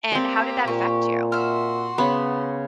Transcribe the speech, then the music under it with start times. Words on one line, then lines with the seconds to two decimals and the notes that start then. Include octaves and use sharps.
and how did that affect you?
0.12 A#3 C4 G4 D5
0.67 A#2 C#6
1.32 F#4 E5 C6 F6
1.98 C#3 B3 B5